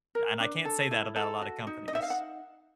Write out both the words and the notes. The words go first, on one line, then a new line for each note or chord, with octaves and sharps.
And, I can't say that about a lotta companies.
A#4
D4
A4
E4
A4
F#4
D#4
D#5
D#4 E5
F5
F#5